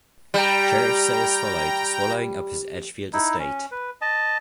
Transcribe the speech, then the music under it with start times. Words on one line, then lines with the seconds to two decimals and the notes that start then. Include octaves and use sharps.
Sheriff sales followed, swallowing up his Edgefield estate.
0.34 G3 G5 A#5
3.13 D#4 E4
3.39 C#4
3.71 B4
4.01 D#5 A5